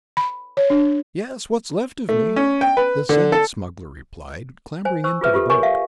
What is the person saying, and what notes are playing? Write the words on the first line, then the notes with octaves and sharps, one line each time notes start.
"Yes, what's left of me," the sentenced smuggler replied, clambering into the boat.
B5
C#5
D4
A3
C#4
G5
B4
D3
A4
C5 G#5
C5 C#6 E6
F4 G#4 B4 E5
F4 G4 A4
A#4 C#5 G#5 C#6
E5 F5